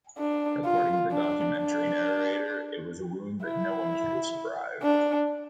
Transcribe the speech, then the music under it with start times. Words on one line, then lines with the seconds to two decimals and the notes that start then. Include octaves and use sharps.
According to the documentary narrator, It was a wound no one could have survived.
0.18 D4
0.65 F4
1.12 D4
1.57 D4
3.43 E4
4.82 D4